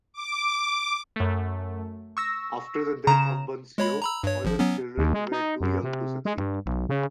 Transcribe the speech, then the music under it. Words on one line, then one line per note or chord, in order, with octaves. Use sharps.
After the death of Bunseo, all his children were too young to succeed.
D6
F#2 A3
C#6 E6 A#6
C#3 A#5 E7
G#3 C#5 B5
A#5 B5 E6
G2 C#5
G#1 F3
F#3 B3 C#4
D#2
G#3
D#4
F#2
C3
G#3
G2
B1
C#3